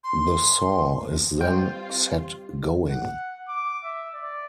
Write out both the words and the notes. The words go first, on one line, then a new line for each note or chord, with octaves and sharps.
The saw is then set going.
C6
G3 C4 F4 C5 D#5 G5
F#5
D6
E5
D5